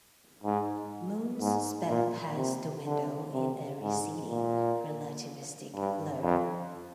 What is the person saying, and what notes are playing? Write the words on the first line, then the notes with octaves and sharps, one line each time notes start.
Moons sped past the window in a receding, relativistic blur.
G#2
G#2
A#2
C3
D3
C3
G#2
A#2
G2
F2